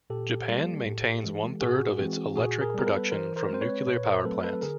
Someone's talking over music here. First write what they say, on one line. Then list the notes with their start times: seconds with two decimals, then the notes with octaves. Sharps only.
Japan maintains one third of its electric production from nuclear power plants.
0.10 A#2 G4 A4
0.49 G3 A#3
0.86 A2
1.24 E3 G#3
1.61 A2 F#4 G#4
1.99 E3 G#3 C4
2.36 A#2 F#4 G#4
2.61 G#4 A#4
2.75 G3 B3 A#4
2.87 A4 B4
3.12 E3 A#4 C5
3.36 A#4 C5
3.49 G#3 C4 C5
3.61 B4 C#5
3.87 A#2 B4 C#5
4.05 A#4 C5
4.25 F#3 A3 C4 A4 B4
4.44 A4 B4
4.62 D3 G#4 A#4